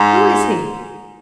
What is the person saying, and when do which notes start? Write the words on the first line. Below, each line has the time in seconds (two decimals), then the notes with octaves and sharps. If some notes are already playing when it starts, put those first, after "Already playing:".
Who is he?'
Already playing: G#2